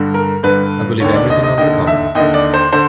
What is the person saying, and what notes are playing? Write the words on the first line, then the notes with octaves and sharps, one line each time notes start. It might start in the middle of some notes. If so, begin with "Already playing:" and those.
I believe everything out of the common.
Already playing: G2 D3
A#4
G2 D3 B4
D#2 D3 C#5
D5
D#5
D#5
D#2 D3 D#5
E5
D#2 D3 D#5
D5
C5
D3 C5